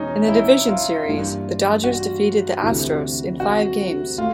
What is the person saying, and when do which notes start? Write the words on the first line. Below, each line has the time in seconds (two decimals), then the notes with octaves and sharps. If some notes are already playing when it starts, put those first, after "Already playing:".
In the Division Series, the Dodgers defeated the Astros in five games.
Already playing: E2 B2 G#3 B3 C#4 D#4
0.28 E4
0.68 F4
1.05 G2 E3 G3 A#3 D4
1.84 F#4
2.62 D2 C3 E3
3.40 F#4
4.18 A3 F4